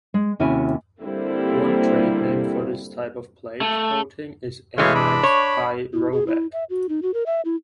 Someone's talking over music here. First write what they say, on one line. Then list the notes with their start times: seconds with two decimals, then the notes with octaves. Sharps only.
One trade name for this type of plate coating is Eimac's "pyrovac".
0.14 G#3
0.40 D#2 C3 C#4 E4 F#4 G#5
1.02 D3 G3 A#3 C4 E4
3.61 A3
4.78 E3 G#3 A3 C#5 F5
4.95 D4 B5
5.23 C#5
5.93 E4
6.12 G#4
6.27 E4
6.53 E5
6.70 F#4
6.89 D#4
7.02 F#4
7.14 A#4
7.26 E5
7.45 E4